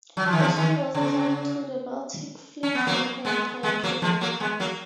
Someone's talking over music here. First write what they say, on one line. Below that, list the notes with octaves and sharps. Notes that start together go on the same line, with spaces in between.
The ship was assigned to the Baltic Fleet for her entire career.
F#3
F3
D#3
C#3 F3
D#3
C#3
C#4
B3
F#3 A#3
G#3 B3
G#3 B3
F#3 A#3
F3 G#3
F#3 A#3
G#3 B3
F#3 A#3